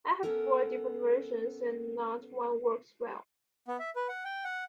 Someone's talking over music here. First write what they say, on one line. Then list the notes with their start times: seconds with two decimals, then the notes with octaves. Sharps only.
I have four different versions and not one works well.
0.23 C3 A#3 B3 C#4 A4 A#4
3.68 B3
3.79 E5
3.96 B4
4.09 F#5
4.25 G5
4.44 F#5